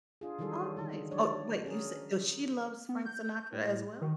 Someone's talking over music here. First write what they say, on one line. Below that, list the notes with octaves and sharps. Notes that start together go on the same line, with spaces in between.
Oh, nice oh, wait, you said so, she loves Frank Sinatra, as well?
D4 F4 G#4
D#3 E3 F#3 G3 G#4 A4
D3 D#3 G#3
F#3 D4 C#5 D5
C#4 G#4 A#4
B3
G6
A2
D#3